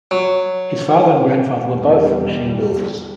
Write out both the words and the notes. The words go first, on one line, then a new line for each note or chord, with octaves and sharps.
His father and grandfather were both machine builders.
F#3
E2 G3